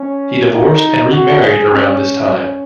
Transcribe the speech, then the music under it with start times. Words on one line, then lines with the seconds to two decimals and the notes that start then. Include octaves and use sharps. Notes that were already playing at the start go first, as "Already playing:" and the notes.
He divorced and remarried around this time.
Already playing: C#4
0.52 D#4
1.12 F#4
1.42 G#4
1.72 C#4
2.32 C#4